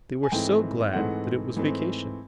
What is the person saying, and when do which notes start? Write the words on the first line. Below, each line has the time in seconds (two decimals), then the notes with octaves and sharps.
They were so glad that it was vacation!
0.23 G#5
0.32 G#2 E3 A3 C4 G5
0.93 G#2 E3 A3 C4 F#5
1.56 G#2 E3 A3 C4